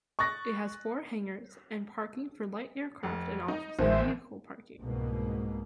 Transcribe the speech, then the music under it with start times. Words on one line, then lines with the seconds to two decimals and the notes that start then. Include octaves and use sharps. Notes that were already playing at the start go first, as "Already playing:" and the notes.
It has four hangars and parking for light aircraft, an office and vehicle parking.
0.19 C#6 D#6 F#6 A6 A#6
3.03 F1
3.48 D#4
3.79 A1 E2 D#3 F3 C5 E5
4.80 C2 G#2 B2 A#3